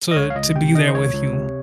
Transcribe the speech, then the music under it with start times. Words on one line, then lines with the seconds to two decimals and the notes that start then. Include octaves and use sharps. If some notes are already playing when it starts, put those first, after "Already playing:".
to to be there with you
0.11 D#5
0.16 C#2 C#5
0.30 F5
0.36 C#2 D#5
0.56 C3 G5
0.75 D#3 D#5
0.88 C5
0.94 C#2 C#5
1.14 C#2
1.33 C3